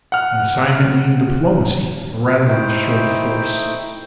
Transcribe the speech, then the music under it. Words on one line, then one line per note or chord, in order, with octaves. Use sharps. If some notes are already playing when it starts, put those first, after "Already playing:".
An assignment needing diplomacy rather than a show of force.
F#5 F6
A3 D#4 E4 C5 G5